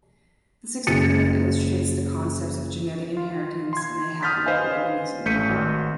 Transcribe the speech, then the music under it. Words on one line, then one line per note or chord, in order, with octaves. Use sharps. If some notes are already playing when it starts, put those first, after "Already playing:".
This experiment illustrates the concepts of genetic inheritance in a haploid organism.
F#1 A6 C#7
F4
C6 G#6
D#6 F6 G6 A6 B6
B4 C5 D#5 F5 G#5
A1 A3 G6 B6 C#7 D#7
G#1 F#4